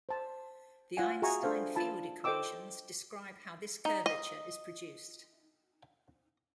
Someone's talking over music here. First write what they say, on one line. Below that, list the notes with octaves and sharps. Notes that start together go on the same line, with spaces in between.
The Einstein field equations describe how this curvature is produced.
C5 A5
F4 F#5 G#5
F#4 G#4 E5 G#5 A#5 C#6
D4 A4 C5 F5 G#5
F4 A5 B5
A4 C5 D#5 G5 D6 E6
D#4
D#5